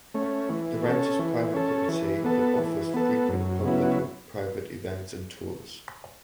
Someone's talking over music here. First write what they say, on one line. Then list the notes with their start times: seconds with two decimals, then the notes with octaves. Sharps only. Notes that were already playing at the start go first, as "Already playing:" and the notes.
The ranch is private property but offers frequent public and private events and tours.
0.14 A3 C#4
0.49 E3
0.84 C#4 A4
1.19 E3
1.54 C#4 A4
1.88 E3
2.24 B3 A4
2.58 E3
2.94 B3 A4
3.29 F#2
3.63 C#3 F#3 B3 E4